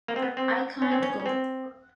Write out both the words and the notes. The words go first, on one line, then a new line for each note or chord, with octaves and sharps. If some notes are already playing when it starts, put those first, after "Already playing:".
I can't go!
A#3
C4
B3
C4
C#4
C4
C#4
C#4
C4